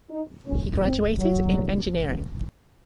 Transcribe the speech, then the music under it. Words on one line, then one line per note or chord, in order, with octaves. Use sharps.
He graduated in engineering.
D#4
C#4
C4
F#3